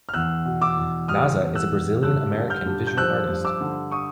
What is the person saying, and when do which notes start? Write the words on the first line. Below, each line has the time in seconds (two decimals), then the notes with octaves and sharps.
Naza is a Brazilian American Visual Artist.
0.09 F6
0.14 E2 E6 F#6
0.45 B2
0.62 D6 E6
0.77 E2
1.08 G3 D#6 F6
1.40 E2
1.55 E6 F#6
1.71 B2
2.03 G2 E6 F#6
2.34 D3
2.50 F6 G6
2.66 G2
2.87 G6
2.97 F3 E6 F#6
3.29 G2
3.45 D6 E6
3.61 D3
3.92 C#6 D#6